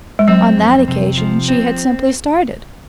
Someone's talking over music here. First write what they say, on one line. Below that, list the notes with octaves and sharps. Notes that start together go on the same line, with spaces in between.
On that occasion she had simply started.
G#3
F#3 C4
F2
C3
F3
C4